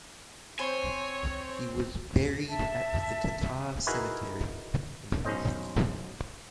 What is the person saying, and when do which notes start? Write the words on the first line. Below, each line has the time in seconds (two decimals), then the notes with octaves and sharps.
He was buried at the Tatar cemetery in Helsinki.
0.59 C4 C5 C#5 G#5
2.49 E5 A5
3.87 D#4 E4 F#4 G#4 A#4 B4
5.24 B1 C#4 C5 D#5